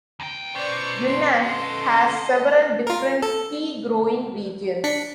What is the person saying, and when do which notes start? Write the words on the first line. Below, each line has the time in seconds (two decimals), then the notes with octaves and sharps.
Yunnan has several different tea growing regions.
0.20 D#2 G5
0.55 C#4 B4 C5 D5 C#6
1.06 C6
1.42 A4 D#5 A5 C6
2.87 F4 A#4
3.23 A4
4.84 D4 B6 C#7